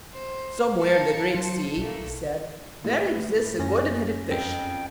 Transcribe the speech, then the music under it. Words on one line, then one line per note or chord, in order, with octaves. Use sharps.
'Somewhere in the Great Sea,' he said, 'there exists a Golden-headed Fish.
C5
A#4 F5 A5 C#7
F#3 C5
B1 A3 A#3
A2 B4
F#2 C#4 A#6
F2 G5